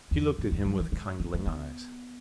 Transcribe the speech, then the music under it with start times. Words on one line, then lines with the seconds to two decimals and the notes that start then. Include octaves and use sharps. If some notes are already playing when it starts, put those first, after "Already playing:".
She looked at him with kindling eyes.
0.11 E2
0.38 F#2
0.52 E2
0.65 F#2
0.80 E3
0.92 G#3
1.20 B3
1.34 A3
1.46 B3